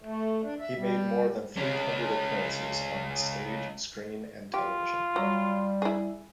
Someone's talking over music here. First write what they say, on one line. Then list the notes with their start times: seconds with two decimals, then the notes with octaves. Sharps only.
He made more than three hundred appearances on stage, screen, and television.
0.02 A3
0.43 D4
0.59 E5
0.77 G3
1.57 G#3 C#4
4.54 F4 G4
5.16 F#3 G3
5.82 E4 G#4